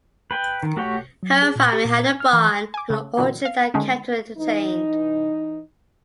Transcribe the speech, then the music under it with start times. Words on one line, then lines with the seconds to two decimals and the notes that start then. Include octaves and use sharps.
Her family had a barn and orchard that kept her entertained.
0.31 B4 G5
0.63 D#3
0.77 A3 F#4 G4 C#5 G5
1.23 F#3
1.42 G#4
1.56 A#2
1.73 G4
1.85 A#2
2.05 G#6
2.20 F6
2.33 E3
2.74 G#5 D6
2.90 C#3 A3
3.17 A#2 D3 E3 F#3 A#3
3.45 F5
3.74 D3 D#3 G#3 A3 C#4
4.38 E3 D#4